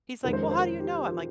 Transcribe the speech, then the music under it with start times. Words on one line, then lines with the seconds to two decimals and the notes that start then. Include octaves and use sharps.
He's, like, "Well, how do you know?" I'm, like,
0.24 F2 D#3 G#3 C#4 A#4
0.33 C5
0.43 A#4
0.51 C5
0.60 A#4
0.80 G4
1.09 F4